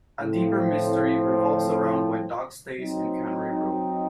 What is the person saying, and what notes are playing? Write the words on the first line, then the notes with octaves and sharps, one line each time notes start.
A deeper mystery revolves around why Doc stays in Cannery Row.
A2 F3 C4
F#3 C4 D#4